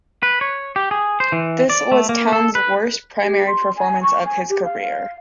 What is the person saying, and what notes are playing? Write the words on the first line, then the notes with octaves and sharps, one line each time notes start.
This was Towns' worst primary performance of his career.
B4
C#5
G4
G#4
C5
E3
D5
A3
A#3
A4
B4
G4
C6
G#5
C#6
G#5
G4
F5
F5